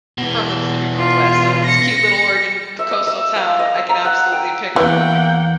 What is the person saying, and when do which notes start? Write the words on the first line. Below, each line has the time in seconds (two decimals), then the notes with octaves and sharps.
from the Pacific Northwest. So this cute little Oregon coastal town, I can absolutely picture
0.18 B2 E3
0.98 F4
1.65 A#6 C#7
2.79 E5
2.91 D#5
3.07 E5
3.36 F5
3.59 D#5
3.76 E6
3.89 A#5
4.05 F#5
4.32 G5
4.76 E2 E3 A#3 C#5 F#5 G5